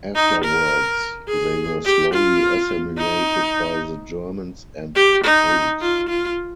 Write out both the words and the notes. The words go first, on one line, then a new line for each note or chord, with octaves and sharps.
Afterwards they were slowly assimilated by the Germans and Poles.
D#4
A#4
G#4
G4
F4
D#4
G4
D#4
F4
F4